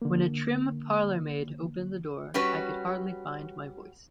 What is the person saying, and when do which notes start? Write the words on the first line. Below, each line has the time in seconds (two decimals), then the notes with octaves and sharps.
When a trim parlour-maid opened the door, I could hardly find my voice.
0.02 D3 A#3
2.34 G3 C#4 F#4 B4